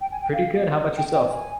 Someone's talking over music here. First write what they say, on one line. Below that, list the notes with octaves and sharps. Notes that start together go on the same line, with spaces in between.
Pretty good. How about yourself?
G5
G#5
G5
F5
G5
G5
G#5